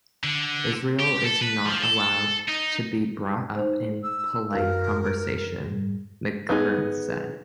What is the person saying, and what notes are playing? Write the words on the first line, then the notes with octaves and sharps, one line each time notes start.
'Israel is not allowed to be brought up in polite conversation,' McGovern said.
D3
G4
A4
B4
F3
A4
D#4
D#4 C5
E6
F#2 A#4 F5
G#2 G3
B3 D#4 G#4